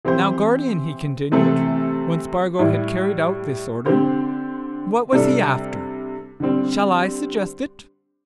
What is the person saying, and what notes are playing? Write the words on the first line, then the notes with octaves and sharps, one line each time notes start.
Now, guardian," he continued, when Spargo had carried out this order, "what was he after? Shall I suggest it?
E3 C4 G4 C5
C3 E3 A3 C4 A4
A2 G3 E4
D3 C4 G4 C5
C3 G3 D4 A4
D3 G3 C4